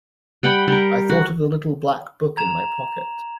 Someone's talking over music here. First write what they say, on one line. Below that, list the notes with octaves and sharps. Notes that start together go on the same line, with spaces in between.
I thought of the little black book in my pocket!
G3 F#5 G5 B5
G3 A#4
F#4
A#5 G#6 E7 F7